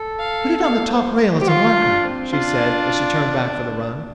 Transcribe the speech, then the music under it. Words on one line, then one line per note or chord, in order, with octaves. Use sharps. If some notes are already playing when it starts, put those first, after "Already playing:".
"Put it on the top rail as a marker," she said, as she turned back for the run.
Already playing: A4
F5
F5
C5
C5
G4
F4 F5
D4
C4
D4 F4